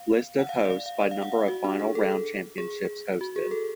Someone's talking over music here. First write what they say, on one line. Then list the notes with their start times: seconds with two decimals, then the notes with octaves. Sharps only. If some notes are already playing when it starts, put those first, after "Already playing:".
List of hosts by number of final round championships hosted.
Already playing: F5
0.39 F#5
0.49 F5
0.59 F5
0.65 D5
0.70 F5
0.86 F5
1.01 D5
1.11 F5
1.22 F#5
1.32 F5
1.48 F#4
1.64 D4
1.79 G#4
1.95 A4
2.58 G#4
3.21 F#4
3.36 G#4
3.51 A4